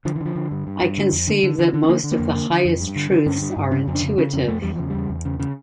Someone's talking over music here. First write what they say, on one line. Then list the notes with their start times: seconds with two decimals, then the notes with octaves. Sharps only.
I conceive that most of the highest truths are intuitive.
0.05 D3 F3
0.15 E3
0.21 D3 F3
0.36 D3
0.51 G2
0.67 G2
0.82 G2
0.98 D3
1.13 F2
1.27 D3
1.43 D3
1.59 D3
1.74 D3
1.83 C#4
1.89 D3 A#3
2.04 D3
2.11 A#3
2.19 F2
2.35 D3
2.50 D3
2.65 F2
2.80 G2
2.96 D3
3.11 D3
3.26 G2 C#4
3.42 G2
3.57 G2
3.71 C#3 C#4
3.88 F2
3.95 D4
4.03 C#3
4.18 C#3 C#4
4.33 F2 C#4
4.48 F2 A3
4.62 E2 G3
4.76 C#3 F3
4.90 E2 G3
5.10 E2
5.25 C#3
5.39 C#3